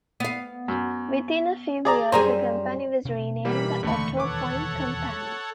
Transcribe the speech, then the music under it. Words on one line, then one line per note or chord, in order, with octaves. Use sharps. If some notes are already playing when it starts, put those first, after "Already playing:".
Within a few years the company was renamed, the Autopoint Company.
B3 F5
F#2
G#4 D5 A#5
F#2 G3 G#4 C5 A#5
B2 C4 D4
E3 G3 A#3 B5
E1 D#2 D3 D#3 A3 B5 C#6
A4 B4 C#5 F#5 C#6 D6